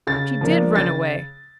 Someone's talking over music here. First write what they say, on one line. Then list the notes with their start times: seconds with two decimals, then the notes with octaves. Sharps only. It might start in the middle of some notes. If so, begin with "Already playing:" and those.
She did run away.
0.07 C#3 A6
0.41 F3 A#3 D4
0.75 C#3 A6